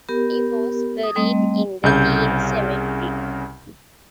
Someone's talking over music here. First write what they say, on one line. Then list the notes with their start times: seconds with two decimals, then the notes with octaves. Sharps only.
He was buried in the Dean Cemetery.
0.09 B3 G4 A#4
1.03 D#6
1.16 G3 A3 C4 D#5
1.83 C2 C#3 G6